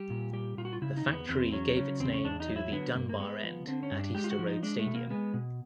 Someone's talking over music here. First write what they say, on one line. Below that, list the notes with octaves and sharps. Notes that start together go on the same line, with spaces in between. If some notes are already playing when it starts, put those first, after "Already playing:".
The factory gave its name to the "Dunbar End" at Easter Road Stadium.
Already playing: G3 G4
A#2
G3 G4
A#2 F4
F#4
F4
C#3 E4
D#4
E2
B3
E2 C4
F#3 C#4
C#3 C#4
E2 C4
C#4
E2 D4
D#4
F#3
E4
D3 B3
G2 A#3
A#3
G#3 B3
F3
D3 C4
C#4
G2
D4
G#3 G4
F4
F#4
F3
D#4
G#3 D4
A3
B2
A#3
G#3 B3
B2